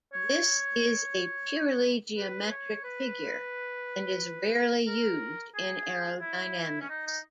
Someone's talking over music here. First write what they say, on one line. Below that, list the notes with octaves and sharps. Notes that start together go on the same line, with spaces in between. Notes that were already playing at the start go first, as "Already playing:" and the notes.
This is a purely geometric figure and is rarely used in aerodynamics.
C#5
B4
B4
C#5
B4
A#4
G#4
E4
C#4
D#4
D#4